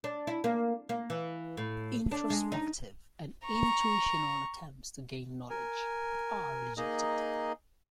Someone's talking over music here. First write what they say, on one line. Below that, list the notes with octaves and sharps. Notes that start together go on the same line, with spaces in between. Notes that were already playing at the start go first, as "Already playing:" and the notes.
Introspective and intuitional attempts to gain knowledge are rejected.
D4
E4
A#3
A#3
E3
A2
D4
G#3
D#4
A#5 C#6
A#4 G#5
A#3 D#4 G#4 D#5